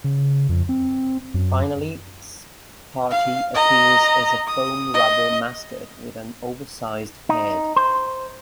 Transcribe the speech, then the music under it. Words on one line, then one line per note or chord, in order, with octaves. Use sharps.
Finally, Sparty appears as a foam rubber mascot with an oversized head.
C#3
F2
C4
F#2
F5
D#5 A#5
D#6
D#5
D#4
C5